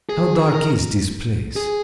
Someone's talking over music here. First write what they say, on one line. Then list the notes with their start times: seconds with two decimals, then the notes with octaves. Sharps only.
How dark is this place!
0.09 G#4
0.39 G#4
0.54 A#4
1.56 G#4